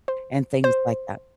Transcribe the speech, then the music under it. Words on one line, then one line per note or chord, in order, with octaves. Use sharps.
and things like that.
C5
C5